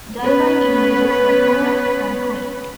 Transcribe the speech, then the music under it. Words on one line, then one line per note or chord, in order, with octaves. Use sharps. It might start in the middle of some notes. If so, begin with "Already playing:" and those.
Divine images were common on coins.
B3 C#4 B4